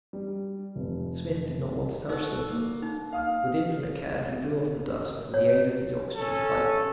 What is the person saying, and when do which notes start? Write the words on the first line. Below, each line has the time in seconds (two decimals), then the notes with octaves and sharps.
Smith did not want to touch them; with infinite care he blew off the dust with the aid of his oxygen pipe.
0.13 G3
0.76 F1
2.09 D#4 F#4 A4
2.49 A#3
2.82 D#4
3.13 F5 D#6 F6
5.34 C#5
6.16 C#4 A4